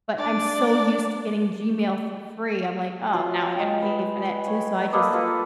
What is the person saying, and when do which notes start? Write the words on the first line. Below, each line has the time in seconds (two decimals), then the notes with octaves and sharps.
But I'm so used to getting Gmail for free, I'm like, "Oh, now I gotta pay for that too," so I just
0.17 D4 D5
3.14 F#3 F4
3.56 G#3 G5
3.82 B4
4.48 C#5
4.93 A#3 A4 B4 D#5
5.13 F4 A4 B4